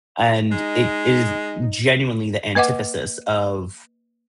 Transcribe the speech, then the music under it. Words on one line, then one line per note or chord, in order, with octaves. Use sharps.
and it is genuinely the antithesis of
G#3 D#4
A#3 B4 D#5 F#5 D6